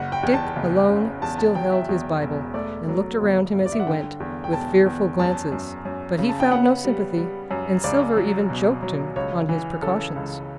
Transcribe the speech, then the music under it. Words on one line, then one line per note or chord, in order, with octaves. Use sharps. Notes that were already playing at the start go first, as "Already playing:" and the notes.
Dick alone still held his Bible, and looked around him as he went, with fearful glances; but he found no sympathy, and Silver even joked him on his precautions.
Already playing: F#1 F#5
G5
E2
A5
F#1
C#3
E2 A5
A5
F#3 G5
E5
E2
E1
A3 D5
F#3
G1
G2
D5
E5
F#5
D3 G5
E2
G5
E1 A5
E2
F#2 A5
F#2
F#2
C#3
A5
G5
B3 F#5
G3
G3
F#2
C#2 D5
F#3
B2
F#3
C#2 C#5
E3
C#3 A4
C#2